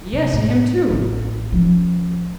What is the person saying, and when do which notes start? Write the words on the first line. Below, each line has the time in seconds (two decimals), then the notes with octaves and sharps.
'Yes, and him too.
0.13 C3
0.33 A2
0.90 A1
1.52 F3 C#4